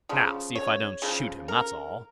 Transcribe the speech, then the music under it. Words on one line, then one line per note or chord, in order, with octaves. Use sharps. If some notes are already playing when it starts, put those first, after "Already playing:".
'Now see if I don't shoot him, that's all.'
C#3 F3
C#5
C#3 F3
A#4